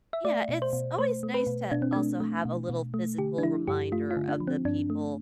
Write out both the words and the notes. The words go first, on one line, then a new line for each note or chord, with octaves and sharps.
Yeah, it's always nice to also have a little physical reminder of the people
E5
A3 D5
B2
C5
B2
A3 C5
A3
B4
B2
B2 D4
C4
A3 D4
A3
B2
B2
A3
D3 G4
D4
F3 E4
G2 G4
A3 F4
F4
D3
D4
F3
C4
G2 D4
A3